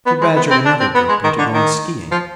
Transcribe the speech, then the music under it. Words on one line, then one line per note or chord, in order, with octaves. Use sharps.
She badgered another group into going skiing.
B3
G#3
B3
C4
D4
C4
B3
G#3
D#3
D3
D#3
F3